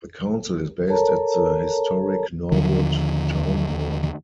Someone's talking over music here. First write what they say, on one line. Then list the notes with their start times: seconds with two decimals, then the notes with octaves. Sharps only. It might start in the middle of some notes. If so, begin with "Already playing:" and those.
The council is based at the historic Norwood Town Hall.
0.87 A4 A#4 C#5 A5 A#5
2.52 D#2 D3 F3